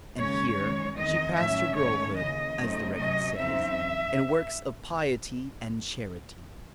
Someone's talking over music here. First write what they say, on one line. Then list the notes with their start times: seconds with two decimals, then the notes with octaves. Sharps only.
And here she passed her girlhood, as the record says, "in works of piety and charity."
0.18 D#2 C#3 G#3 C#4 C#5
0.58 F#2 D#3 G#3 C#4
0.98 E2 D#3 G#3 C4 D#4 D#5
1.38 A2 F#3 C#4 E5
1.78 G#2 D#3 A3 C#4 C#5
2.18 D#2 C#3 E3 D#5
2.58 C#3 F#3 A3 C4 D#4
2.97 C3 F#3 C#4 D#5
3.38 E2 C#3 F#3 C4 D#4 E5